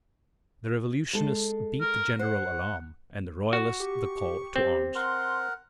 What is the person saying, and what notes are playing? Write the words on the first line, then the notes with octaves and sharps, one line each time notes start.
The revolutionists beat the general alarm, and the royalists the call to arms.
G#3 A4
A#4
C5 F#5
F#4
G4 C#6
C4
A#4 F#5 C6